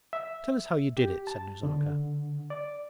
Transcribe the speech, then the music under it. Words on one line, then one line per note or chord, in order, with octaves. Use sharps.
Tell us how you did it!' said Nazarka.
E5
G4
A5
D3
D5